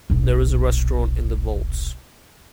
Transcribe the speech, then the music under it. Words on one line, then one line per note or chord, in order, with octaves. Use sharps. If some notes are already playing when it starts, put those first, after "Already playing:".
There is a restaurant in the vaults.
D#1 B1